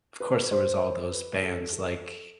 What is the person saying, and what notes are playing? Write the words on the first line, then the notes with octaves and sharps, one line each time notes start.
of course, there was all those bands like
B4
C5
B4
A4
A4